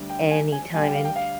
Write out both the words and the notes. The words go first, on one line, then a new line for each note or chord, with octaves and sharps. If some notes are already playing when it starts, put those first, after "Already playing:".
anytime in
Already playing: D2 D3 G3
G5
G#5
G#5
D2 D3 G3 G#5
G5
F5
G5
F5